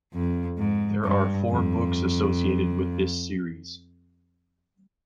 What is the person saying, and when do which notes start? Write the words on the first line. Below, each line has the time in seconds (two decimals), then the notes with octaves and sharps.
There are four books associated with the series.
0.14 F2
0.58 G#2
1.04 G2
1.49 F2